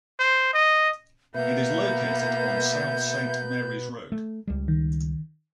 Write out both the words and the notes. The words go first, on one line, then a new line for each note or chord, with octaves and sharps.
It is located on South Saint Marys Road.
C5
D#5
B2 A#3 B3 B4 E5 G6
A3
C#2 G3
D#3